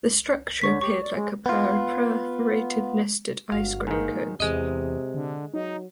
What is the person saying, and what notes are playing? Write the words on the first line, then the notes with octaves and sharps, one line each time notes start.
The structure appeared like a pair of perforated, nested ice cream cones.
D3 C#5 C#6 B6
G4 C#6
D5
G#3
B3 F4
G1 F#4 F5
G#2 D#3 A#3
E2 C3 G#3 D#5
D3
F#3 D#4